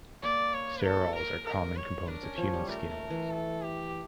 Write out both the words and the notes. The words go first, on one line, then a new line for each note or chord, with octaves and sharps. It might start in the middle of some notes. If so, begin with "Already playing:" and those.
Sterols are common components of human skin oils.
A#3 D5
C#5
A4
A#4
A#4
C#5
D4 A#4
C#4
F3 C#5
G3
A3 A#4
A3
E3
A4
G4